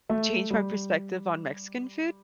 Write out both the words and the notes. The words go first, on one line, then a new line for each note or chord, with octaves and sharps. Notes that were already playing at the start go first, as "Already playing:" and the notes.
changed my perspective on Mexican food,
A3
G3